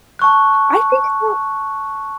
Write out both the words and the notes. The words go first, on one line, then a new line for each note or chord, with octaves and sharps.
I think so
A5 C#6 F#6